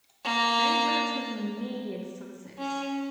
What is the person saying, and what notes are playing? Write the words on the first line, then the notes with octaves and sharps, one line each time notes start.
They brought him immediate success.
A#3
C#4